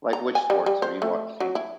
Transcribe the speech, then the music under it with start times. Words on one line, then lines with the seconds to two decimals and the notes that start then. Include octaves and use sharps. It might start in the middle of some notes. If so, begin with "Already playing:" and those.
like, which sports have you watch seen?
0.13 A#5
0.35 G#5
0.50 G3
0.66 G3
0.82 C5
1.02 A3
1.40 F#3
1.55 E4